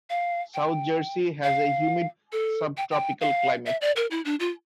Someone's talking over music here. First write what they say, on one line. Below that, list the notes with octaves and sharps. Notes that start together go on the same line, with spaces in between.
South Jersey has a humid subtropical climate.
F5
G5
F5
A4
G5
G5
F5
E5
D5
A#4
E4
D4
F4